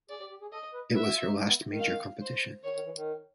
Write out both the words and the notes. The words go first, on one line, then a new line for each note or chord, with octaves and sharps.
It was her last major competition.
G#4 D5
G4
G4
G#4
A4 D#5
B4
B4 E5
F#4
F4
D#4
C#4
B3
D#3
F5
C5
D#3 C#5
D#3
E3
D#3